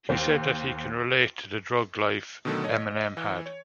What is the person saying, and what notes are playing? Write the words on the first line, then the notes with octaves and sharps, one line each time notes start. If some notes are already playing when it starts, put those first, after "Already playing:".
He said that he can relate to the drug life Eminem had.
D#2 C5
B2 D3 D#3 F#3 A3 A4
C#5 D#5
D#5
E3
C#5